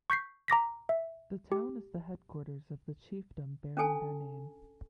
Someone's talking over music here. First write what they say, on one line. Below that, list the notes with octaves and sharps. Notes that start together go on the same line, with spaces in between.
The town is the headquarters of the chiefdom bearing their name.
C#6 G6 B6 C7
A#5 D6 A#6 B6
E5
G4
C#4 D4 A4 G#5 A5